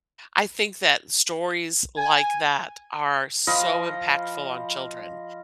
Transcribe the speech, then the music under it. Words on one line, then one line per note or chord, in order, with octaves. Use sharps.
I think that stories like that are so impactful on children,
G#5
F3 D#5 F5 B5